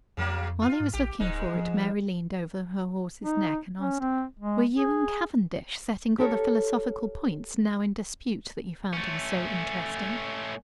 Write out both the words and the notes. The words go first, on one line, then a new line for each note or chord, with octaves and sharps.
While he was looking for it Mary leaned over her horse's neck and asked: "Were you and Cavendish settling all the philosophical points now in dispute, that you found him so interesting?"
F2 C#3 F#3 A#3
F4
G#2
A#1 G4
D1 G#2 G#3 D#4
F3
D#4
C#4
C4
G#3
G#4
G4 A4 A#4 C#5
A3 C#4